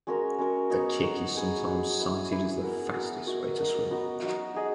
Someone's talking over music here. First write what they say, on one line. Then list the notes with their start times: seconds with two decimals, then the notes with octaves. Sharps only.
The kick is sometimes cited as the fastest way to swim.
0.07 G#3 C#4 F#4 A#4
0.38 G#3 C#4 F#4 A#4
0.70 B3 D#4 F#4 C#5
1.02 B3 D#4 F#4 C#5
1.34 D#4 G#4 B4
1.67 D#4 G#4 B4
1.99 E4 B4 E5
2.31 E4 B4 E5
2.63 B3 F#4 A#4
2.94 B3 F#4 A#4
3.26 D#4 F#4 A#4
3.58 D#4 F#4 A#4
3.90 F#3 B3 D#4 F#4
4.22 F#3 B3 D#4 F#4
4.55 D#4 G#4 D#5